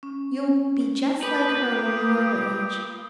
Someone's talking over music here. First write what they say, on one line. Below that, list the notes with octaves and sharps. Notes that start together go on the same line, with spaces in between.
You'll be just like her when you are her age.'
C#4
A#3 F4 G4 B4 D#6